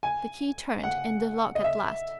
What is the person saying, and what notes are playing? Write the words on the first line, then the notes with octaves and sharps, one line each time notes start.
The key turned in the lock at last.
G#5
F#5
D#5
E5